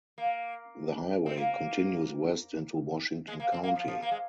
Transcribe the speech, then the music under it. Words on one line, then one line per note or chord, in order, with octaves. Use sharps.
The highway continues west into Washington County.
A#3
C4
A#3
G#3
A#3
C4
A#3
F3
F3
A#3
G#3